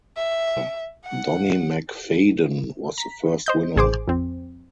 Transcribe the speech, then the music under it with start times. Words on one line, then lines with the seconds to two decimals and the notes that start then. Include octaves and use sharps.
Donnie Macfadyen was the first winner.
0.16 E5
1.05 F#5
2.98 A#5 B6
3.46 C5 D#5 G6
3.76 A1 G#4 C5 D6
4.08 F2 C4